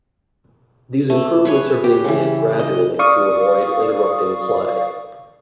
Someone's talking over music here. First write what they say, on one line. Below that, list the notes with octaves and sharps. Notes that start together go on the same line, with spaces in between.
These improvements are being made gradually to avoid interrupting play.
A3
B4 C#5 G#5
G4
C#3 E3
D#5
D5 F5 C#6 D#6